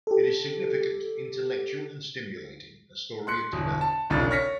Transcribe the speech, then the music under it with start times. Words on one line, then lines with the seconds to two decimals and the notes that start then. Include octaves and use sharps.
It is significant, intellectual and stimulating--a story of today.
0.07 G4 A4
3.27 C6 F#6 C#7
3.52 G1 E2 B2
3.81 A5
4.10 E1 B1 C#3 F3 D4 A6
4.31 C#5 F6 A#6 B6 C#7